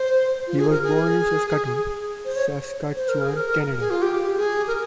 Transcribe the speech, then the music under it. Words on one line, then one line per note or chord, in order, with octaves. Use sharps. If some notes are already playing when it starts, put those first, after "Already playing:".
He was born in Saskatoon, Saskatchewan, Canada.
Already playing: C5
F4
G#4
A#4
G#4
C5
C#5
C5
A#4
G#4
A#4
G#4
F4
G4
G#4
A#4